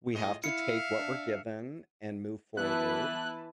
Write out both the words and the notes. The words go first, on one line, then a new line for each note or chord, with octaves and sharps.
we have to take what we're given and move forward,
A2 F4 G#4 D#5
E4 E5 F5 F6 C#7
D4
E3 B3 E4 B4 A5 F#6